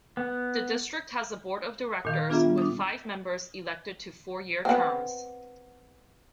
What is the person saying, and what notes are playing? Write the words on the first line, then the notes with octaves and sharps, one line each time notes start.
The District has a board of directors, with five members elected to four-year terms.
B3
A#2 D#3 F5
B3 D4 F4 G#4 E5 A#5
G3
D4 D#6
B3 C4